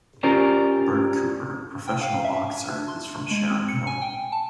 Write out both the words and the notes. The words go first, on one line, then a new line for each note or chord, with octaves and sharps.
Bert Cooper, professional boxer, is from Sharon Hill.
C#4 F4 G4 A#4 C5 D5
G5
F5
E5
D4
C6
G#3
C4
C#7
G#5
G5
A5